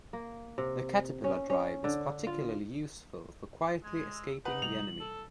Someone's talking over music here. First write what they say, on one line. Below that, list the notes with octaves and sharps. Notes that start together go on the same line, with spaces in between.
The caterpillar drive is particularly useful for quietly escaping the enemy.
A#3
C3
C#4
C#4
D3
F4
G#3 G#6
E6
D#4 B4 F#5 F#7
C3 G3 F7
A4